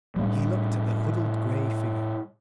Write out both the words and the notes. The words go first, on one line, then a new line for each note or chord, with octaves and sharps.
He looked at the huddled grey figure.
A2 G3